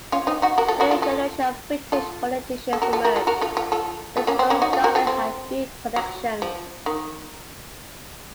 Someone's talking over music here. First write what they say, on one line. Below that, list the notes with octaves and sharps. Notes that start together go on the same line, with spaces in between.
A new generation of British politicians emerged with whom Garvin had few connections.
C#4 F4
C4 D#4
D#4 F#4
F#4 A#4
F4 A4
F#4 A#4
F4 A4
F4 A4
F4 A4
A4
F#4 A#4
F4 A4
F#4 A#4
F4 A4
F#4 A#4
F4 A4
F4 A4
F4 A4
F4 A4
A#3 C#4
C4
A#3 C#4
D#4 F#4
F4 A4
F#4 A#4
F4 A4
C4
F#3
F3
D#3